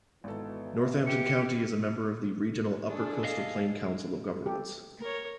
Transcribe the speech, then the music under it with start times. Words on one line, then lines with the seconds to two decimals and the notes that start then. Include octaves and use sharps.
Northampton County is a member of the regional Upper Coastal Plain Council of Governments.
0.24 G#1 B2 E3 A4
1.06 G4 C#7
2.87 D4 G#4 A4
3.24 D#5 F5
4.46 G4 A4
5.01 A#4 C#5